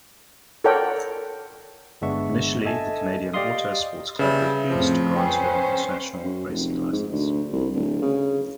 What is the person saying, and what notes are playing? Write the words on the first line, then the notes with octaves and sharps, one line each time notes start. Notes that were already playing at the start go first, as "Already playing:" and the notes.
Initially the Canadian Auto Sports Club refused to grant her an international racing license.
A4 A#4 C#5 D5 F#5 G5
G1 G#3 B3 D4 E5 C#6
A4 D#5 E5 G#5 A5
G4 D5 D#5 F5 C6 D#6
C#3 G3 B4 E5
F2 A2 F3 C4
C#4 B4 C5 G5 G#5
F#2
F1
G#2
D2
C2
D1
C#3